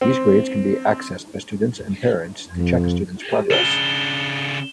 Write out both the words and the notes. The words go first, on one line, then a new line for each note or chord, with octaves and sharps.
These grades can be accessed by students and parents to check a student's progress.
C4
F2
C#3 D4 E7 G7